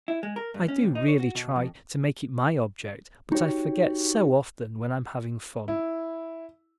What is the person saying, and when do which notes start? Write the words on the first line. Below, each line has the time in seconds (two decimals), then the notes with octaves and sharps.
I do really try to make it my object but I forget so often when I'm having fun.
0.08 E4
0.23 G#3
0.36 A#4
0.54 G2
0.68 C#4
0.83 D#2
0.95 D#4
1.08 C#5
1.20 F#4
1.35 B2
1.56 F2
3.32 D#4 F#4 G4 C#5
5.68 E4